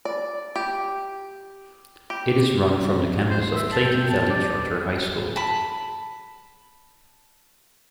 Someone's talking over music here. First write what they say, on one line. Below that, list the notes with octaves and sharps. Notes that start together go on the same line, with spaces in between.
It is run from the campus of Clayton Valley Charter High School.
D5
G4
G4
C5
C6
E5
A5
G5
A5
D5
A5 B5